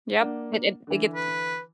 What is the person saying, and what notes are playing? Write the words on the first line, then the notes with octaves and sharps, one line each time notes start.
Yep, it it it gets
A#3 D4 F#5
D3 E3
B4